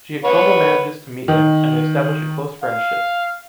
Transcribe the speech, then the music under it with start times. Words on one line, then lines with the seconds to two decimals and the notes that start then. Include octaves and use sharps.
Giacomo manages to meet him, and they establish a close friendship.
0.25 B4 C#5 F#5
1.28 D#3
2.63 F5